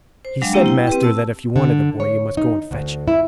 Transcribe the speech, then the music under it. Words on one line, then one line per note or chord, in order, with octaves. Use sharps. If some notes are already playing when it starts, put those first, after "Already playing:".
"He said, master, that if you wanted the boy you must go and fetch him."
C5
F#3 G#3 D4 F5 G5
A#3 C4 E4 G4 C5
E4 G5
C4 G4 B4
A5 E6
D3
C#5
D#4
D2
E4